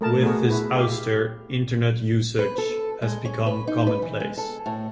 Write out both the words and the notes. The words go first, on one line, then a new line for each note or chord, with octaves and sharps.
With his ouster, Internet usage has become commonplace.
A3 A#4 A5
A3 B3 F#4 G#4 A#4
E4 B4
G4 E5 F5
B4
A4
G#3
C#4
B4
D#4
B4
E3
G#3
A4
A2